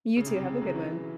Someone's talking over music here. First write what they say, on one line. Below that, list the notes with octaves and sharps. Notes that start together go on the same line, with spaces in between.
You too, have a good one.
C#3
C3
C#3
F#3
E3